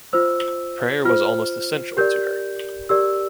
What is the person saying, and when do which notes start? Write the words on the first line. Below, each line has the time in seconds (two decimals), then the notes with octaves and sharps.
Prayer was almost essential to her.
0.13 F4 C5 E6
1.05 F4 C5 F6
1.97 G4 A#4 D5 G6
2.89 G4 A#4 D5 E6